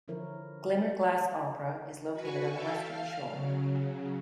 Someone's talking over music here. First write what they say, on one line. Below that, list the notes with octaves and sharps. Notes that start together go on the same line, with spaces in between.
Glimmerglass Opera is located on the western shore.
D3 F3 E4 A#4 C#5
F#4 B4 G#5 C#6
A4 E5 F5 G5 A5
F5 F6
C#3 F#3